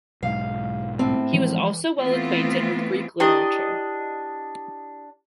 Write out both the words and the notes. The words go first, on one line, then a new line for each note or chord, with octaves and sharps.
He was also well acquainted with Greek literature.
B1 G#2 F5
A2 C4
E3 F3 G#3
E3 A3 B3 C4 F4
D4 E4 G4 D#5 G5